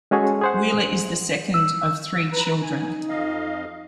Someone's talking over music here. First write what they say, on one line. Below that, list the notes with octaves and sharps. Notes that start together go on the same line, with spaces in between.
Wheeler is the second of three children.
G#3 C#4 F#4 G#4 A4
G#4 C5 F#5
E6
B4 A#5
D#4 G#5
F2 D#5 F5